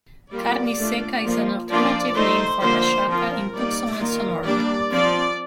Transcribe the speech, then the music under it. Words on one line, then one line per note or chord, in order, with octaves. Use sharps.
"Carne seca" is an alternative name for machaca in Tucson and Sonora.
G3 A#3 F4 D5
A3 D4 F4
F3 A#3 F4
F3 A#3 D4 F4 D5
A3 D#4 C5
D3 F3 A#3 C5
F3 C4 F4 A#4
G3 A#3 D#4 D5
D#3 A#3 F4 A#4
G3 A#3 D4 D5
F3 C4 F4 D5